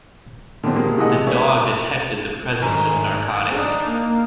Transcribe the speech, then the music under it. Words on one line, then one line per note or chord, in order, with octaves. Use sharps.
The dog detected the presence of narcotics.
D3 D#3 F3 B3 C4
A#2 G3 G#3 A#3 G#4
C3 E3 G#3 A3 D#5 F#5
G3 G#3 B4 C#5 E5
G#2 D#3 A3 A#4 C#5 E5 G#5 A#5
D4 D#4
A#3